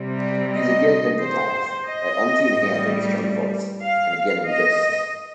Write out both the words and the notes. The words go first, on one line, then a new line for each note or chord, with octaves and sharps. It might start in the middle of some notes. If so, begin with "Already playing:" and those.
He is again hypnotised, by unseen hands and a strange voice, and again resists.
Already playing: C3 G3
D#5
C5
D#5
A2 G3
F5
D#5